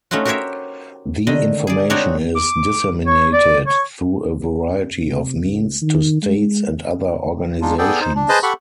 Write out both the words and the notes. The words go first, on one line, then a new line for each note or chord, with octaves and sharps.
The information is disseminated through a variety of means to states and other organizations.
A3 C#4 D#4 F4 F#4
F#4 G4 A#4 C5 C#5 E5
D3 D#3 D#5
G#4 D5
C4 D4 D#4 F#4 C#5 D5
D6
C#5
D5
C#5
C3
C#2
D#3
G#3
G#3 D4 D#4 F4
B3 G#4 A4 D5 G5
D#4 C5
D4
G#4 B4 C5 D#5 A5
G4 A4 F#5 B5 C#6